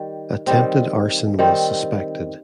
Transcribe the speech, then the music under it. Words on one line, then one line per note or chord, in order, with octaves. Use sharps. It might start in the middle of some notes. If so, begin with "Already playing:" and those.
Attempted arson was suspected.
Already playing: D#3 G3
D#3 G3 C4
D#3 G3 C4